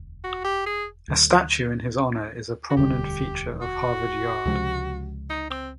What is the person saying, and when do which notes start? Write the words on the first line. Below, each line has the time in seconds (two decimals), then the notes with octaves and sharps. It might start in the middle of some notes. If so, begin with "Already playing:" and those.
A statue in his honor is a prominent feature of Harvard Yard.
Already playing: E1 D2
0.24 F#4
0.45 G4
0.66 G#4
1.08 D2 D3 F#3
2.70 F#4
2.77 E1 D2 D3 G3 G4
3.61 F#4
4.45 C#2 C3 F3 G#3
5.30 D#4
5.51 C4